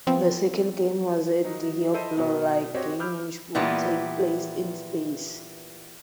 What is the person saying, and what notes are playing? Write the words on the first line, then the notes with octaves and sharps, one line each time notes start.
The second game was Diablo-like game which would take place in space.
F3 B3 C4
D#3 F#3 D#4
E4 A4 C5 D#5 D#7
B2 F#3 B3
C4 F#4 G4 C#5 D#5
B5 D6 E6 F6 G6
A#2 E3 G3 B3